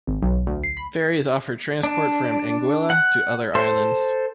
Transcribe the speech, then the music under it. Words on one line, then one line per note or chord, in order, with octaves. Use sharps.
Ferries offer transport from Anguilla to other islands.
G#1
B1
D2
C7
B5
D4
F#5
A4 C5